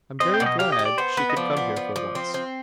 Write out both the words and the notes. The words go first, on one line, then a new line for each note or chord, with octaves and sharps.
I'm very glad she could come here for once.
C4 D#5
G5
B2 D5
D#5
G4 F5
D#5
G4
D5
B3 C5
B3 B4
D#5
F3 D5
B3
F3
F3
C4
C4